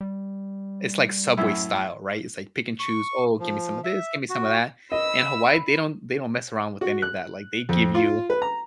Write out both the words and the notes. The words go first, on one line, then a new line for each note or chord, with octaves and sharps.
it's like Subway style, right? It's like pick and choose, "Oh, give me some of this, give me some of that." In Hawaii, they don't they don't mess around with any of that, like, they give you
G3
F#2 A2 E4
C#6
F3
E5
F#4
D#5 B5 E6
F#4
F#6
F2
F4
B4
A#5